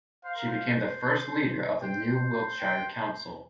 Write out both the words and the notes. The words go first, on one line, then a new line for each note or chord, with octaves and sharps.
She became the first leader of the new Wiltshire Council.
C5 F5
A#4
C5
C5 G5
G5